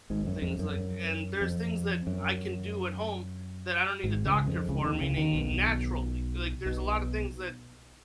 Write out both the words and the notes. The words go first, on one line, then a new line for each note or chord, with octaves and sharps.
things, like and there's things that I can do at home that I don't need a doctor for, meaning, naturally, like there's a lotta things that
G#1 G#2
F#2
F2
F#2
F2
F#2
G#1 G#2
C#2 C#3
F2
C#2 C#3
D#2 D#3
C#2 C#3
D#2 D#3
B1 B2
B1 B2